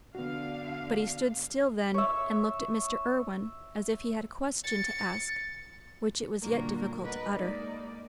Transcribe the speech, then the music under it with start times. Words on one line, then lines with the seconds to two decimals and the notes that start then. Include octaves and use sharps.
But he stood still then, and looked at Mr. Irwine, as if he had a question to ask which it was yet difficult to utter.
0.15 D3 B3 F#4 F5
1.94 C#5 E5
4.64 A6 C#7
6.41 A#2 D3 G3 A#3 F#4 A#4
7.04 A#4 B4 D#5 F#5
7.36 G#3 A#3 D#4 D5